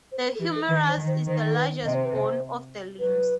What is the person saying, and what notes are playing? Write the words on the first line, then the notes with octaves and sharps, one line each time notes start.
The humerus is the largest bone of the limbs.
C5
B4
A4
E3 G4
A4
D#3 B4
C5
D#3
C5
D#3 C5
A4
B4
C3 D#5
C5
B4
C5
F#3 B4